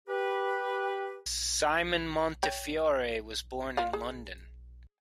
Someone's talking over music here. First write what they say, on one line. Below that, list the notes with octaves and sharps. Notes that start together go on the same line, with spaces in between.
Simon Montefiore was born in London.
G4 B4
C#5 G5
F4 D5 F5
G#4